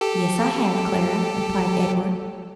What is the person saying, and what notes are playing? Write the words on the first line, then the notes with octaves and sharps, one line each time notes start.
"Yes I have, Clara," replied Edward.
G4 A4